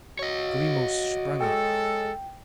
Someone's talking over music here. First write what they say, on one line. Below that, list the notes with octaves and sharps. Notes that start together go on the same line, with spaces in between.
Grimaud sprang up.
F#4 C#5 D#5
G#3 A4 G5